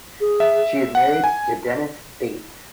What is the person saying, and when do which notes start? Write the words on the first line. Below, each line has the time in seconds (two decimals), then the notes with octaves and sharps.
She is married to Dennis Bates.
0.21 G#4
0.40 E5
0.95 F#5
1.24 G#5